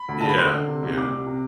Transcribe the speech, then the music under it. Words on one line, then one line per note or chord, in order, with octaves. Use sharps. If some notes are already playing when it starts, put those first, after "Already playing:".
Yeah, yeah.
Already playing: B5
D2
D3 A5
B5
D3 C6
D3
C3
C2
C2 D6
C2
C3